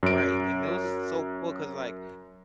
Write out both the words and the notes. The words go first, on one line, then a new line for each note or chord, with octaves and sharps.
Right. And those are so cool 'cause, like,
F#2 D7